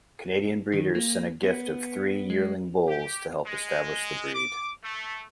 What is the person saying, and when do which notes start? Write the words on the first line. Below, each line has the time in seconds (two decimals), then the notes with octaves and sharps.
Canadian breeders sent a gift of three yearling bulls to help establish the breed.
0.73 D#3
0.95 A#3
1.43 B3
2.30 G#3
2.88 G4
3.47 G#3
4.34 D6
4.83 A3